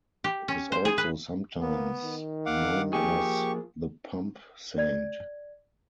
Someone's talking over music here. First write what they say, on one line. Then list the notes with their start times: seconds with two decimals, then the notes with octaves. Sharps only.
It is also sometimes known as the Pumpsaint.
0.24 G4
0.48 C#4
0.72 C5
0.85 G#4
0.98 B4
1.60 A#3 B3
2.03 D#3
2.46 F5 F#5 D6
2.93 F3 A#3 G4 G#4 C#6
4.78 D5 G#6